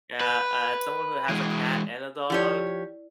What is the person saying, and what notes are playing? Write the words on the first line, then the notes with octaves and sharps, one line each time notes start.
Yeah, uh, someone who has a cat and a dog.
B4
E3 G#3
F3 E4 G4 C#5 D5